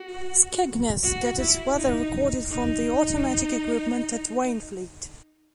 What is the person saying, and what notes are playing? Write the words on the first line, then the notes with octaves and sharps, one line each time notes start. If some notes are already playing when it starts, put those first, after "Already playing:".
Skegness gets its weather recorded from the automatic equipment at Wainfleet.
Already playing: F#4
F#4
E4
D#4
D#4